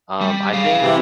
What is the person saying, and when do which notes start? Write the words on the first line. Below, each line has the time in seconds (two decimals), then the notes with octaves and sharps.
Um, I think
0.21 G3
0.53 G#4 F5
0.82 C3 E3